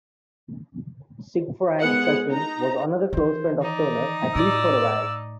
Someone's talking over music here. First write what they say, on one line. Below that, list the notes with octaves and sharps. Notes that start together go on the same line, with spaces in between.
Siegfried Sassoon was another close friend of Turner, at least for a while.
G#3 B3 G#4 F#5
D#4 A#5
D#3 E3 C5
D#4 D5
A2 D5 E6